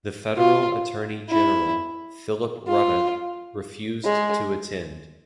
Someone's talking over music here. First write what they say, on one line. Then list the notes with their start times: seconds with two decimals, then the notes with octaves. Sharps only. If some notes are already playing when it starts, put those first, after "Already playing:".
The federal attorney general, Philip Ruddock, refused to attend.
0.37 F4
1.29 E4
2.68 F4
4.04 G#3